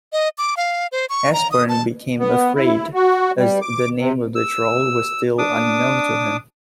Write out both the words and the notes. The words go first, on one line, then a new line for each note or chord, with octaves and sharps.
Esbern became afraid, as the name of the troll was still unknown to him.
D#5
D6
F5
C5
C#6
A#5
D#6
A5
B3
E4
F#4
G3
D6
C3
E6
D4 D6 D#6